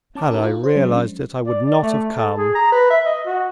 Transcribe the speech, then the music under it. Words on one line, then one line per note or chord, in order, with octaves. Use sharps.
"Had I realised it, I would not have come."
C#4 A5 D6
D#4 G4 A#4
F4
C5
F#3 G#3 C#4 D4
D5
D5
A3
A4
G#4
A#5
B4
E5
D#5
F#4